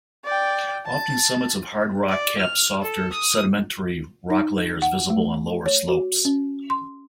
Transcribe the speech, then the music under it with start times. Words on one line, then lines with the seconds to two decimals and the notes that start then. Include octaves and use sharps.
Often, summits of hard rock cap softer sedimentary rock layers visible on lower slopes.
0.25 D5 G5
0.86 A5
2.08 D5
2.39 F6
2.82 A4
3.13 D#6
4.30 D#4
4.82 F#5
5.10 A3
5.66 C#5
5.88 F#4
6.25 C#4
6.70 C6